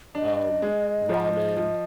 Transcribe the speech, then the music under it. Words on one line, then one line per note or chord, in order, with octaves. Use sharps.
um, ramen;
D4 D#5
G#3
F3
F3